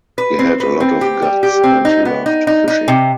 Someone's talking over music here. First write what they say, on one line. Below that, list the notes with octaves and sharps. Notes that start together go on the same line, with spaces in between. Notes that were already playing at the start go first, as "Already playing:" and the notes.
He had a lot of guts and he loved fishing.
B4
C4
B4
C4
G4
G3
G4
C4
D#4
B3
D#4
D#4
D#4
C3